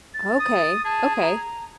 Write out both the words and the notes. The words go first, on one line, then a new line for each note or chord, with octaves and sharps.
Okay, okay.
A6
D#6
G#4 A5
A#5